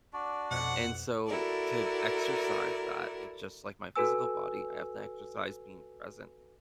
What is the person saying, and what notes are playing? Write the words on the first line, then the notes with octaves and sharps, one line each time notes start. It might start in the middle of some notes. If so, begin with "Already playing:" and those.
And so to exercise that, it's just like my physical body, I have to exercise being present
D4 F#4 D5
F2 B2 F#5
E4 F#4 A4 A#4 D5
F#4 A4 B4 G#5 E6